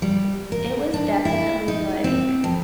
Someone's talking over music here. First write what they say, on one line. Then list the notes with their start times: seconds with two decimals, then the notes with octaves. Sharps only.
it was definitely, like
0.02 G3
0.52 A#4
0.94 D4
1.25 E4
1.68 D#4
2.04 C4
2.44 F2